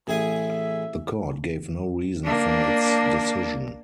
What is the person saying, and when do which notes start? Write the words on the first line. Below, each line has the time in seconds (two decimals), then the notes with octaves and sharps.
The court gave no reason for its decision.
0.08 A1 G#4 E5 G#5
2.24 A#3 D4